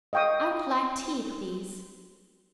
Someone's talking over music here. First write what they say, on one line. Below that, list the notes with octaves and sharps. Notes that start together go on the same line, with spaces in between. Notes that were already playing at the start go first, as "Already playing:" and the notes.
"I would like tea, please."
D#5 F5 G5 C#6 D#6